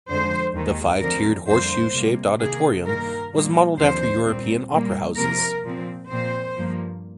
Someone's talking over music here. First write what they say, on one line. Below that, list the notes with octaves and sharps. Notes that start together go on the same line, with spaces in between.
The five-tiered, horseshoe-shaped auditorium was modelled after European opera houses.
F2 D3 F3 G#3 C5
D#2 D#3 G#3
D2 D3 F3 C4 A#4
F2 D3 G3 A#3 C5
C3 G3 A#3
C3 D#3 A#3 G#4
G2 D#3 A#3 A#4
A#2 G3 A#3
D#2 D3 F3 C4 C5
A#2 G3 C4
A#2 G3 A#3
C3 F3 A#3 A#4
A#2 F3 C4
A#2 F3 C4 C5
G2 F3 A#3